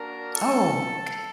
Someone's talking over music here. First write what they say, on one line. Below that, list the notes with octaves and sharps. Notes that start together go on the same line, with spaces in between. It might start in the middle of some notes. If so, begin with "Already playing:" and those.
Oh, okay.
Already playing: A#3 D4 F#4 A#4
A4